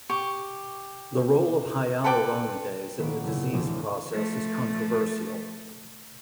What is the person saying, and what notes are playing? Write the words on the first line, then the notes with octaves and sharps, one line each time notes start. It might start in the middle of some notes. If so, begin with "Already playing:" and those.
The role of hyaluronidase in the disease process is controversial.
G4 C#6
A4 B4 G5 D6
A#1 D#3 A#3 B3 B5 D7
F#1 C#3 E4
D2 A2 C3 E3 F3 G#3
F3 A3